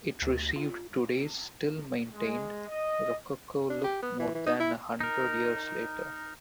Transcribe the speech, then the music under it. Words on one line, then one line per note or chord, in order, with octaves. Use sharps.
It received today's still maintained rococo look more than a hundred years later.
D2
F4
G#3
D#5
D4
G4
B3
E3
E3
D#4
E4
D#4 A#4